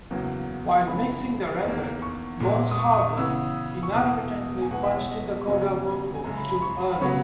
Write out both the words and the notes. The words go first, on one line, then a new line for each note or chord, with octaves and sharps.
While mixing the record, Bones Howe inadvertently punched in the coda vocals too early.
E2 C#3 F#3 A#3
F#2 C#3 E3 G#3 B3 B5
E2 D#3 A#3
C#6
A#2 G#3 B3
D#6
C#6
D#6
C#6
C#3 E3 B3 E6
C#6
E2 B2 A#3 D#6
G#5
E2 B2 G#3 B3 F#5
E5
C#5
D#5
F#2 C#3 F#3 B3 G#5
G#5
F#2 C#3 G#3 A#5
B5
B5
C#6
B5
C#3 F#3 B3 C#6